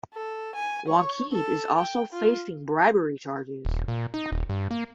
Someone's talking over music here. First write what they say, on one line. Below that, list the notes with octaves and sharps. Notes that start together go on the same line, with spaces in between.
Wankhede is also facing bribery charges.
A4
G#5
C#5
A4
G5
F4
D#1
A#2
D#4
D#1
G2
A#3